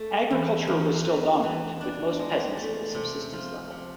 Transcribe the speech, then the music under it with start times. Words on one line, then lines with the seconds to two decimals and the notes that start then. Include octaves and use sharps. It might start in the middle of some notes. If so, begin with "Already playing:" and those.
Agriculture was still dominant, with most peasants at the subsistence level.
Already playing: A3
0.31 E2
0.67 E2
1.05 E3
1.43 E3
1.81 D4
2.19 G#3
2.57 A3
2.95 C3
3.33 F3
3.70 C3